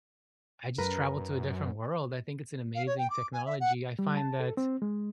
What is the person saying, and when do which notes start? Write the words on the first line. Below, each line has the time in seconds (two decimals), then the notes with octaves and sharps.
I just traveled to a different world. I think it's an amazing technology. I find that
0.78 F#2 A#4 B4
2.75 F5
2.87 C#5
2.98 G5
3.10 D6
3.33 G#5
3.46 E5
3.60 F#5
3.99 G3
4.17 A5
4.40 A4
4.57 C4
4.82 G#3